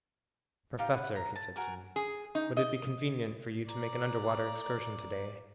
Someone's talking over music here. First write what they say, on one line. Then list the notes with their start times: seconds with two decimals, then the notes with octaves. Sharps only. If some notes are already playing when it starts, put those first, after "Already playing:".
"Professor," he said to me, "would it be convenient for you to make an underwater excursion today?"
0.78 D#4 F4 G4 F5
0.94 B4 F#5
1.16 A#5
1.36 A5
1.56 F#4 A#4 G#5
1.96 G#4
2.35 D#4
2.57 D#5
3.68 D5 A#5